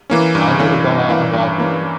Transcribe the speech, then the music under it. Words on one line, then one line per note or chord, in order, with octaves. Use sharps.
I need to go out and walk more.
E3 A#3 C#4
G2
E3 A#3 C#4
G2
E3 A#3 C#4
G2
E3 A#3 C#4